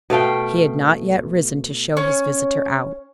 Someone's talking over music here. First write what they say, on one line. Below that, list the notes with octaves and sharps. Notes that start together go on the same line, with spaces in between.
He had not yet risen to show his visitor out.
B2 A3 F5 G5
C#4